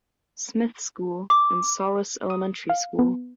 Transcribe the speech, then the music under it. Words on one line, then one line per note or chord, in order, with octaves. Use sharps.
Smith School, and Solace Elementary School.
D6
D#6
F5
B3